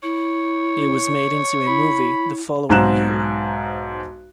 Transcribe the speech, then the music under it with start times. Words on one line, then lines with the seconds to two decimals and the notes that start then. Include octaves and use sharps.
It was made into a movie the following year.
0.03 E4 C#5
1.67 E4 B5
2.69 B1 G#2 C5 A#5 F#6 E7